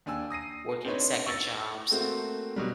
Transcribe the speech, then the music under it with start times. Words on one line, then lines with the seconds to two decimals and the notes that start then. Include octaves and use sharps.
working second jobs,
0.06 D#2 D4 G#5 E6
0.30 D#6 A#6 C7 D#7
0.85 C4 D4 D#4 B4 C#5
1.27 C#6 E6 A6 A#6 C#7
1.91 A3 A#3 C4 F#4
2.56 B2 F#3 G3